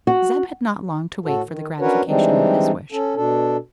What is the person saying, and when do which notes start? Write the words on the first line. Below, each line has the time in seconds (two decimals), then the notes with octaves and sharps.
Zeb had not long to wait for the gratification of his wish.
0.07 F#4
1.26 A2 F#4 A4
1.46 D#3
1.80 C#4 D4 F#4 A#4 B4 C#5
2.07 E3 G3 G#3 C4 D4 D#4
2.92 C#4 A4
3.16 B2 D4 A4